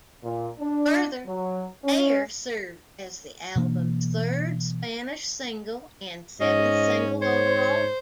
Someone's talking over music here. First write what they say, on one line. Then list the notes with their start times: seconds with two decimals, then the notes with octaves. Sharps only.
Further, "Ayer" served as the album's third Spanish single and seventh single overall.
0.23 A#2
0.59 D4
1.27 F#3
1.85 C#4
3.56 B2 E3 A#3 D4
6.41 G#2 C#4 D#5
7.21 C5 C#5